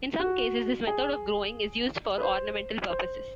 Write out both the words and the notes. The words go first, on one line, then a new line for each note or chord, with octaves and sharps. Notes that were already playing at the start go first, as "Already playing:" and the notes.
In some cases, this method of growing is used for ornamental purposes.
F#4
G#4
B4
C5
C5